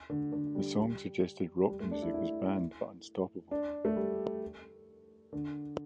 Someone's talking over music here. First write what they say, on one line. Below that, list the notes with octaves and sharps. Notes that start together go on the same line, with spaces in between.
The song suggested rock music as banned but unstoppable.
D3
D3
G3
G3
A3
D4
E4
E4
D4
A3
G3
D3